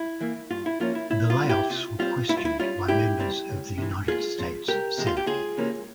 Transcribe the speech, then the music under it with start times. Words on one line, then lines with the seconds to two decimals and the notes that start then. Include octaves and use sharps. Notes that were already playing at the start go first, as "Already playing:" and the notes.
The layoffs were questioned by members of the United States Senate.
Already playing: E4
0.21 E3 A#3
0.50 G2 F4
0.66 E4
0.80 F3 A#3 C#4 F4
0.95 E4
1.10 C#2 E4
1.30 F4
1.40 C3 G3
1.49 E4 G4
1.70 C3 F4
1.99 G3 C4 F4
2.29 G2 E4
2.37 F4
2.45 E4
2.59 G3 C#4 F4
2.88 C2 E4 G4
3.19 C3 G3 C4
3.49 C#2
3.78 C3 E3
4.07 A#2 F4 G#4
4.38 F3 C4
4.68 C2 G4 A#4
4.98 C3 F3 G#3
5.07 F4
5.17 G4
5.27 C#2 F4 G#4
5.57 C3 E3 A#3 C#4